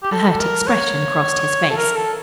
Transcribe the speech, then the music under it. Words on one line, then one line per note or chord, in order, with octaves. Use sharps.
A hurt expression crossed his face.
G4
A4
A4
A#4
C#5
A4
A#4
A4